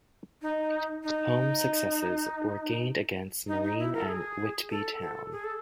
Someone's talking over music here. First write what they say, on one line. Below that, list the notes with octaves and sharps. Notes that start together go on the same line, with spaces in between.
Home successes were gained against Marine and Whitby Town.
D#4
D#4
D#4
D#4
E4
A#4
A4
G#4
A4
A4
G#4
A4